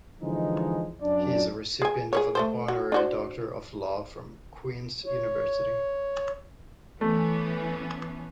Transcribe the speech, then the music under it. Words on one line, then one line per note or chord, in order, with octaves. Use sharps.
He is a recipient of an Honorary Doctor of Law from Queen's University.
D3 E3 F3 G#3 D#4
F#2 D4 D5
G#4 G#5
G#4 B4 C#5
A3 A4 C5
F#4
D4 F#4 C5
C#5
E3 A3 B3 C#4